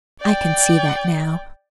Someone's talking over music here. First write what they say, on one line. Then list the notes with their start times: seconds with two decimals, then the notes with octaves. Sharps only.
I can see that now.
0.20 D5 G5